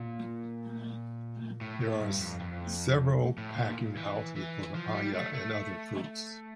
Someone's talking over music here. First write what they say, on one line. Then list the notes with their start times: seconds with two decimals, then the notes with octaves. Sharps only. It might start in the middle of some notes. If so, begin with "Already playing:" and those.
There are several packing houses for papaya and other fruits.
Already playing: A#2
1.61 A2
1.81 A2
2.01 G2
2.20 F2
2.40 F2
3.38 A2
3.57 A#2
3.97 E3
4.36 E3
4.75 F3
4.95 G3
5.14 A3
5.33 A3